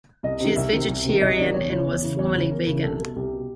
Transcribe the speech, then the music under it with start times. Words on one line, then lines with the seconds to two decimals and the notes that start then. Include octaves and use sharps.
She is vegetarian and was formerly vegan.
0.23 C2 D#5
0.40 C3 D#3
0.56 C2 E5
0.73 C3 D#3
0.88 C2
1.04 C3 D#3
1.21 C2 D#5
1.38 C3 D#3 D5
1.54 E2 C#5
1.70 C#3 E3 C#5
1.87 E2
2.02 C#3 E3
2.19 E2 C#5
2.35 C#3 E3
2.51 E2 A#4
2.67 C#3 E3
2.83 C2 A4
3.00 B2 A4
3.16 C2 G4
3.33 B2